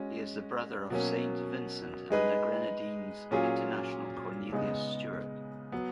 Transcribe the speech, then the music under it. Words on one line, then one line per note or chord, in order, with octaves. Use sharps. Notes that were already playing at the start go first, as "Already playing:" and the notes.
He is the brother of Saint Vincent and the Grenadines international Cornelius Stewart.
Already playing: G#3 C#4 F#4
B2 F#3 A#3 C#4
G#3 D#4 G#4 B4
A#2 F#3 C#4 F4 G#4
C#3 G#3 B3 D#4
F#3 B3